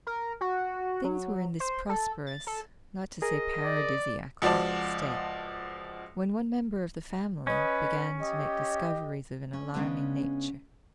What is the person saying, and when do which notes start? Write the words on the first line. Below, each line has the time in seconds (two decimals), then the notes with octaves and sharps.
Things were in this prosperous, not to say paradisiacal, state, when one member of the family began to make discoveries of an alarming nature.
0.07 A#4
0.41 F#4
1.04 F#3
1.60 C5
1.89 A4
2.27 A6
2.47 A4
3.22 G#4 A#4 D#5
3.63 D5
4.42 C#2 F3 F#4 D5 A5
7.47 C#4 B4 D#5
8.20 G4 D#5
9.53 C#4
9.74 C#3 G#3 B3 C#4 D4